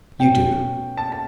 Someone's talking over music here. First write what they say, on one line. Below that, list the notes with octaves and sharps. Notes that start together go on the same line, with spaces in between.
You do.
B2 A3 C#4 G5
A5
A5